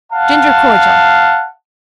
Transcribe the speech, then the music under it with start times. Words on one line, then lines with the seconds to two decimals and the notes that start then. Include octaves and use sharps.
Ginger cordial.
0.12 F5 F#5 A5